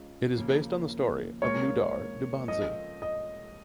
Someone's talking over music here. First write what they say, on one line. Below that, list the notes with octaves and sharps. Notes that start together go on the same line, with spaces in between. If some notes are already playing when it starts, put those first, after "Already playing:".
It is based on the story of Nodar Dumbadze.
Already playing: G#2 G#3 C#4 F4
D#2 C#3 F3 A#3
A#2 G#3 F4 A#4 C#5
F2 F3 C#4 D#5
D#5